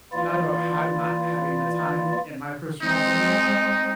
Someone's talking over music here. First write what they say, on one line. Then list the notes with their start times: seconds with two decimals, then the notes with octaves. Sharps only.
not about ha not having the time in my personal opinion,
0.13 E3 A#3 E4 F4 D5
2.82 G#3 C4 D#4